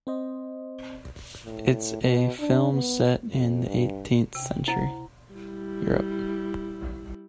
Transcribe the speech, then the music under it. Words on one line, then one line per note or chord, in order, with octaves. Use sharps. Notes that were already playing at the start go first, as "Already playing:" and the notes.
It's a film set in eighteenth century Europe.
C4 C5 D#5
A2
B2
D4
B3
F2
G2
C3 G5
E4 C5 F#5
G3 E4